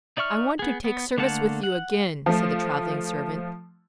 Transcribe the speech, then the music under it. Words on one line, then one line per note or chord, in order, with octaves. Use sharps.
"I want to take service with you again," said the travelling servant.
D#4 D5 E5 C#6 F6
B3 G#4
B3
D3 A3 A#3 F#5 A5
F#5
F3 A3